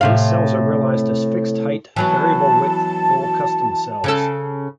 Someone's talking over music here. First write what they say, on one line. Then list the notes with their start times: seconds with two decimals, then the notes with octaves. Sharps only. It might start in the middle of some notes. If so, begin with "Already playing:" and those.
These cells are realized as fixed-height, variable-width full-custom cells.
0.01 A2 C3 F5
1.96 E3 F#3 B3 A5
4.04 C#3 C#4 A4